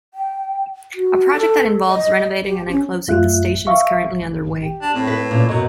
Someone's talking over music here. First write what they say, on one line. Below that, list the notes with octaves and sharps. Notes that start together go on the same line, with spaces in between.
A project that involves renovating and enclosing the station is currently under way.
G5
F#4
A4
D#5
G4
C#4
F#2 A3 F4 E5 F#6
E5 F5 C#6
G4
D4
A2 C4
B4
A#2 C#4
F#2 B2 F#3 D#5